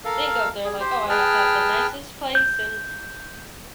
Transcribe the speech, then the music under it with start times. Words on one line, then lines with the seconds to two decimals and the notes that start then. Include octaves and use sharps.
think of, they're like, "Oh, I have to have the nicest place and
0.05 A4 A#4 F5
0.64 G#4
0.80 G4 C5
1.09 G#4 B4 G5 A5 F6
2.35 G6